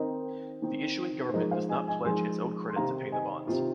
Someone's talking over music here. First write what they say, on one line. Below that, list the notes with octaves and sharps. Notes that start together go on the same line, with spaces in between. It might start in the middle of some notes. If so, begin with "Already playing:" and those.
The issuing government does not pledge its own credit to pay the bonds.
Already playing: D#3 C4 D#4 A#4 D#5
D#3 C4 D#4
C5
F3 G#3 D#4 A#4 D#5
C5 F5
D#5 G#5
D#5 G#5
F3 G#3 D#4 G#5 C6
C6
C3 D#3 C4 D#4 F5 A#5
D#5 G#5
C3 D#3 C4 D#4 F4